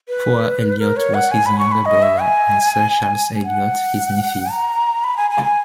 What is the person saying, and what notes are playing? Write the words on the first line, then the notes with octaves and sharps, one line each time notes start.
Hugh Elliot was his younger brother and Sir Charles Elliot his nephew.
B4
A#4
C#5
F#5
G#5
B5
C#6
B5
D#5
E5
G#5
F#5
A#5
B5
G#5
G#5
G#5